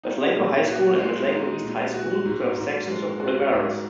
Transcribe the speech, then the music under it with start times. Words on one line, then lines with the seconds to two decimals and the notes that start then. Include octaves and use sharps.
Weslaco High School and Weslaco East High School serve sections of Olivarez.
0.03 D#4
0.36 A#2
0.67 F#4
0.99 G#3
1.31 D#4
1.62 A#2
1.94 F#4
2.25 G#2
2.56 G#2
2.88 G#3
3.20 F#4
3.52 G#2